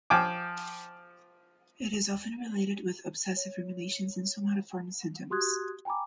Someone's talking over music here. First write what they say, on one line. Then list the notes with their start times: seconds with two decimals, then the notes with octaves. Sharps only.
It is often related with obsessive ruminations and somatoform symptoms.
0.10 F3 G5 G#5 D6
3.37 C#5
5.30 F#4 G4 C6 D#6 F#6 G#6
5.85 G5 G#5 A#5 B5 D6